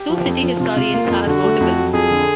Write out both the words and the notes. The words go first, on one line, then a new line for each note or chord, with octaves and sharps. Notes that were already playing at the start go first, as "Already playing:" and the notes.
Two city historians are notable.
Already playing: G4
F3
F2
F3
C3 F4
C3
A#3
F2
D3 F#4
A3
F2
F#3
F2 G#4
D3